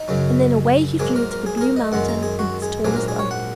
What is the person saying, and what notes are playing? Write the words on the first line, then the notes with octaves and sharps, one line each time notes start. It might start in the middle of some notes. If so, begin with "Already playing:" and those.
And then away he flew to the blue mountain and its tallest oak.
Already playing: D#4
F#2 C#3 F#3
G#2 F#3 A#3 G#4
A#4
A#4
G#4
G#4
A#4
D#5
F#2 D#3 G#3 F#5
A#5
G#4
F#4
G#4
A#1 G#2 F#3 A#3 G#4
A#4
G#4
C#5
F#5